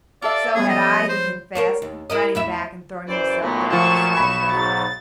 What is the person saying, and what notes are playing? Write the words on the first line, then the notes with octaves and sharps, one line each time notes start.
"So had I," he confessed, running back and throwing himself down beside her.
F4 A4 D5 E5
G3 B3 C#4 G#4
F3 D#5
C5
A#4 C5 C#5
D#2
E4 A#4 D#5
E2 E4 E5
F#2 E3 C5 D5
A#2 F#3 A3 B3 D#4
F3 F4 C#6 E7
B1 B5
G#2 F#3 A6